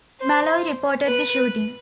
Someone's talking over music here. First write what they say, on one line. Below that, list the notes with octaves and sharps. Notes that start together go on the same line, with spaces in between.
Molloy reported the shooting.
C5
B4